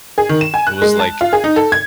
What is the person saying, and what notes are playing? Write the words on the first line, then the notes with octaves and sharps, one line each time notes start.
it was, like,
G#4
D#3
E7
G#5
F#6
G#3
A5
F4
G#4
D#4
A4
G#6